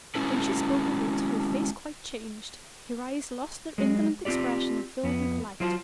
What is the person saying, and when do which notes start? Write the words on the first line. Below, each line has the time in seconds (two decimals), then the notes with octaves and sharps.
When she spoke of it her face quite changed, her eyes lost their indolent expression and filled with light.
0.15 G#3 C#4 E4 F#4 A4 B4
3.78 F#3 G#3
4.25 C4 F4 G4 D5
5.03 F2 B3
5.60 F#3 F4 C5 A5